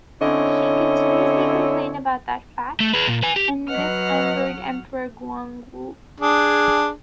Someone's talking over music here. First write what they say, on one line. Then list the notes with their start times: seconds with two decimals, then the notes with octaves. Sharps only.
She continuously complained about that fact, and this angered Emperor Guangwu.
0.21 D3 C4 C#4 E4 C#5 D#5
2.80 A3
2.94 G#4 B4
3.07 A#2
3.23 B4 G#5
3.36 G4
3.68 F#3 B4 D#5 F#5 F6
6.20 D4 G#4